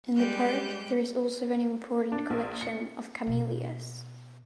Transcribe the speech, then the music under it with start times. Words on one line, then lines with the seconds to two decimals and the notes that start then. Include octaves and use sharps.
In the park there is also an important collection of Camellias.
0.15 G3 G#3 G4 F#6 G6
2.12 D4
2.30 A#1
2.61 C#7
3.27 B2 B3